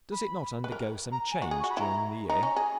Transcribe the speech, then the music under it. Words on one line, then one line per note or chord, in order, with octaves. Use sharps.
Does it not undergo some change during the year?
B5
B4
A#4
A#5
G#5
F#4
G#4
C#6
F#4
B5
E4 A#5
D#4 A#5
C#4
G#4